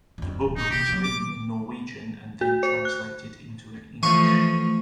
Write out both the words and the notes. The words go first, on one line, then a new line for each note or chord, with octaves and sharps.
The book was written in Norwegian and then translated into English.
F2 D3
D1
F#2 A#2 D#4
C3 A#3 G4
B2 F#3
D6
F#4
C5
F#6
E3 F3 A3 C#6 D#7